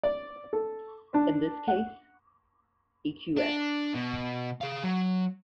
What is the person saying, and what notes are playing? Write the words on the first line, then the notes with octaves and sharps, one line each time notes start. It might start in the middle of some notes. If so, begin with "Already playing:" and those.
In this case, Eqs.
D5
A4
D4
F#5
D4
B2
G#4 F5
F#3